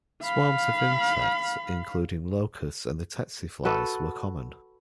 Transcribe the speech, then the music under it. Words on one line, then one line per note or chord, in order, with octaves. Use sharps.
Swarms of insects, including locusts and the-tse flies, were common.
F5 B5
F#4 A4 B4